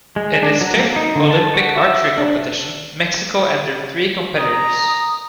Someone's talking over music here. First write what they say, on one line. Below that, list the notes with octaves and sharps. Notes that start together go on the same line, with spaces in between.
In its fifth Olympic archery competition, Mexico entered three competitors.
G#3
D4
F#3
A#3
D#4
D3
A5
F#4
E5
D4
A#5 D#6